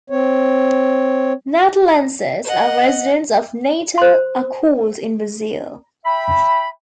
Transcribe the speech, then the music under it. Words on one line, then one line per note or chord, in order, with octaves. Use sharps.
"Natalenses", as residents of Natal are called in Brazil.
C4 C#5
D#5 F#5
C5 C6
E5 G5 B5